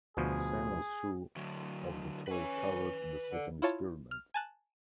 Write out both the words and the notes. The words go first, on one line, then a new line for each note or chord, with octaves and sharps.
The same was true of the tall carrot in the second experiment.
D2 B2 F3 G#4
D3 F#3
C#4 B4 G#5
D3
E4 F4 C#5 A5
F6
G#5 A5 F#6